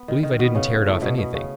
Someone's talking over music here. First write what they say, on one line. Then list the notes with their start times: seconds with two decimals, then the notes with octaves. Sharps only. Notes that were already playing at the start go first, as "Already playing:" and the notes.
I believe I didn't tear it off anything.
Already playing: B3
0.08 D#3
0.23 D#3
0.39 B2 B3
0.55 C#3 C#4
0.87 A2 A3
1.02 B2 B3
1.18 B2 B3
1.34 C#3 C#4